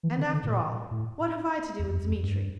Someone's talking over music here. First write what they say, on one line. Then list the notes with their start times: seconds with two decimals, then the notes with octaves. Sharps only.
And after all, what have I to do with Dmitri?
0.03 E3
0.17 D3
0.33 D3
0.43 A2
0.47 A#2
0.91 A2
1.79 E2
1.93 F2
2.08 F2
2.23 G2